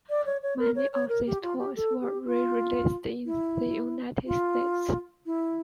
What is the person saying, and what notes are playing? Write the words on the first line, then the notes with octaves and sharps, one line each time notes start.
Many of these toys were re-released in the United States.
D5
C#5
C#5
A#4
C#5
C#5
A#4
G4
F4
G4
A4
G4
F4
E4
F4
E4